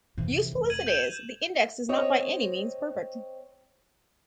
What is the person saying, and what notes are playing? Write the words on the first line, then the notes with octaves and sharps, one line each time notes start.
Useful as it is, the index is not by any means perfect.
C3 E3
F1
G#6 D#7 F#7
G6 E7 F7
C4 C#5 D#5